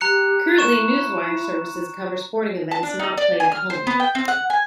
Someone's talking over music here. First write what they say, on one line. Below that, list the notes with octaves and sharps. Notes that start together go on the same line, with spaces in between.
Currently, news wire services cover sporting events not played at home.
G4 A#5 F#6 C#7
E4 C#6 E7
A5
D4
D#4
D5
G#5
F6
C5
B3
G5
C4
F#5
G#5